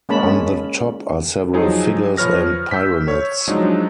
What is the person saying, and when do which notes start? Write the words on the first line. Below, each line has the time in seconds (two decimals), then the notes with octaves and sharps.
On the top are several figures and pyramids.
0.09 G#3 A#3 C#4 A5 B5
1.53 F3 F#3 D#4 G#4
2.17 F3 B4 C#5 F6 A#6
2.71 E6 G6 B6
3.08 C#5
3.47 F3 F#3 G#3 D4 D#4